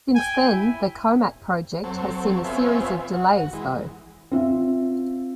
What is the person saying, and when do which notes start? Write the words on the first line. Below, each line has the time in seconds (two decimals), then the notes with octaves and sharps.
Since then, the Comac project has seen a series of delays, though.
0.15 G5 G#5
0.52 E4
1.84 F#3 C4 A4 C#5
2.44 B3 C4 F4 C#5 E5 G#5
3.14 F#4
3.53 E3 G#3
4.31 C4 F4 E5